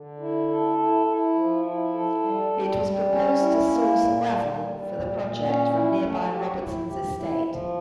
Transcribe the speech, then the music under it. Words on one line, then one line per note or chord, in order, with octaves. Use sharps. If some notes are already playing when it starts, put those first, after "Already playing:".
It was proposed to source gravel for the project from nearby Robertson's Estate.
Already playing: D3
E4
A4
E4
E4
F3
E4
A4
G3
G3
G3
C#4
E4
A#3
A#2
G3
G3
A#2
A#2
C#4
E4
A3
G4
E4
G4
E4
F3